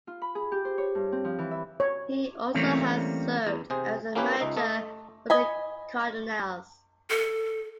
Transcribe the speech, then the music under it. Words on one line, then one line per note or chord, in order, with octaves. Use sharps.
He also has served as a manager for the Cardinals.
F4
B5
G#4
G4
C5
C#5
G2
C4
F3
E3
E5
C#5
E3 G3 A3 A#3 C4 C#4
E2
C3 G#4 C5
A#3 C#4 E4 G4 B4 C#5
C#2 D#4 E5
A3 A4 D#5
D#5 G#5 B5
A4